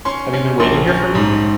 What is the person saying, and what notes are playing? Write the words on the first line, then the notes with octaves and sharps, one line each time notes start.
Have you been waiting here for me?
C#4 C6
C#4
A#1 C6
C#4
G#2